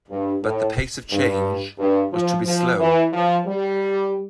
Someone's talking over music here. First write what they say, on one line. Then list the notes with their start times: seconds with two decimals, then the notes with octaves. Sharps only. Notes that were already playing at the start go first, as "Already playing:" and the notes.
But the pace of change was to be slow.
0.10 G2
0.43 A2
1.11 G2
1.78 G2
2.12 F3
2.45 F3
2.79 E3
3.13 F3
3.46 G3